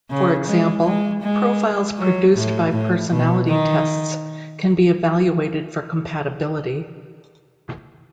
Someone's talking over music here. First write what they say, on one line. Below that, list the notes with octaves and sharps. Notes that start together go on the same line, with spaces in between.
For example, profiles produced by personality tests can be evaluated for compatibility.
C#3
G#3
G#3
G#3
F#3
A2
A2
B2
D#3